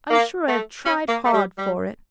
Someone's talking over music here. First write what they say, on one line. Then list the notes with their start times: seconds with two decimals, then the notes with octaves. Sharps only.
I'm sure I have tried hard for it.'
0.11 A#3
0.48 A3
0.85 C#4
1.09 A#3
1.24 A3
1.33 G3
1.58 G3